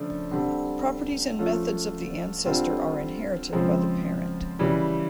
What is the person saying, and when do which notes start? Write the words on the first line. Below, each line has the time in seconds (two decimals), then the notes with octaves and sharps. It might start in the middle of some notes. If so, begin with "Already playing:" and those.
Properties and methods of the ancestor are inherited by the parent.
Already playing: C#3 F3 A3 D4
0.31 D3 G3 C4
1.39 F3 A3 C#4 F4
2.45 D3 G3 C4 F4
3.53 C#3 F3 G#3 C4
4.59 C#3 E3 G3